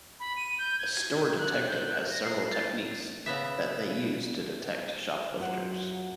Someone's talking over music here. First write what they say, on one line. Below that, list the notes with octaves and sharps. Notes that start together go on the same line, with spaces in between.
A Store Detective has several techniques that they use to detect shoplifters.
B5
D#7
G6
G#6
F#6
G6
F#6
A#6
C7
A6
C#3 B3 E5
F#2 F#3 F4 F#5